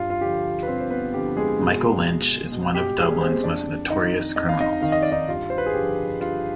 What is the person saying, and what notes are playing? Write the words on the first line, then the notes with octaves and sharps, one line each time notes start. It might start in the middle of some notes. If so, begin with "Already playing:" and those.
Michael Lynch is one of Dublin's most notorious criminals.
Already playing: G2 F4
F4
D3 F3 G4
B4
G2 C4 C5
C5
B3 B4
D3 F3 G4
G#3 G#4
B2
B2
G4
G#3 G#4
C4 C5
F2 D4 D5
D#3 D#4 D#5
F2 D#5
F5
D#4 D#5
D#3 F5
D#5
D5
D#4 D#5
G2 F4
C5
B4
G#4
D3 F3 G4
G2 F4